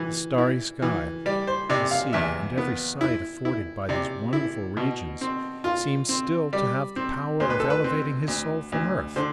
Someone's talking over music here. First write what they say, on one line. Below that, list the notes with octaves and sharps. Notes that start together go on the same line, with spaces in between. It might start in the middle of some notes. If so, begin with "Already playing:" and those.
The starry sky, the sea, and every sight afforded by these wonderful regions seem still to have the power of elevating his soul from earth.
Already playing: E3
E4
E3
G3 D5
C5
C3 D5
F5
E2 E5
B3
E4
E4
C3 D5
E4
B2
C4
F4
C4
G3 D5
C4
D2 C5
B4
A4
B4
C4
D2
D2
D3 C5